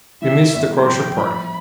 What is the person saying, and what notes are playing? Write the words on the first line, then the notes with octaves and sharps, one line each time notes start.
We miss the Crozier Party.
E3 E5
G1
F3 G5
F3 B5